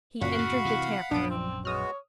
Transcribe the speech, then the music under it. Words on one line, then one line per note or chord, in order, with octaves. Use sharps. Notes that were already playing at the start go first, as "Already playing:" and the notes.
He entered the tap-room.
F#1 F#2 A#2 F#4 F5 F#5 B5
A2 C#3
C3 E3
A#1 F#2 B3 D4 D7
C4
G#3 B3 F#4 C#5 D#6 F6